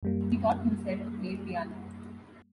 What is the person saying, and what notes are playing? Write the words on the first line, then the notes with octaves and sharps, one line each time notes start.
He taught himself to play piano.
F#2 G3 A#3